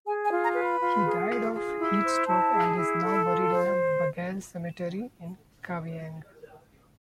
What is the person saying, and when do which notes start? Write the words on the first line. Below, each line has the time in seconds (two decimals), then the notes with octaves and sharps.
He died of heat-stroke and is now buried in Bagail Cemetery in Kavieng.
0.06 G#4 G#5
0.24 G#5
0.30 F4
0.43 A#5
0.55 B4
0.61 B5
0.80 F4
1.05 G#4
1.29 F4
1.54 G#4
1.78 E4
2.03 C5
2.27 E4 A5
2.52 G#4
2.77 E4
3.02 A4
3.26 F4
3.50 C5